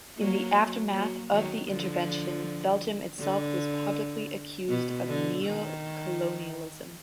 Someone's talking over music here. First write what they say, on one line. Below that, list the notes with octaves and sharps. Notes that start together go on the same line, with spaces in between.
In the aftermath of the intervention, Belgium itself was publicly accused of neocolonialism.
F#3 A#3
F#3 A#3
D#3 F#3
D3 F3
D3
B2
D3
D#3